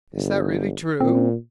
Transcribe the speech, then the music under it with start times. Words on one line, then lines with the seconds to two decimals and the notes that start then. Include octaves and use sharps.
"Is that really true?"
0.14 G1
1.00 A#2 C4